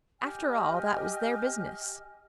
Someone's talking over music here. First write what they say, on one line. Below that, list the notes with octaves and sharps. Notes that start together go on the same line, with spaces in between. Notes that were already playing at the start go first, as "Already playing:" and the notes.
After all, that was their business.
G4 D#5 G#5 F6